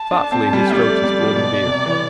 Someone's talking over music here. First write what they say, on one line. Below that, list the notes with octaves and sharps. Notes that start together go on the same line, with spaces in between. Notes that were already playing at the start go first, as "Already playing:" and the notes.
Thoughtfully he stroked his golden beard.
Already playing: A5
D4
C4
G3
G3 D5
A3
G3
F3
B2
C3
E3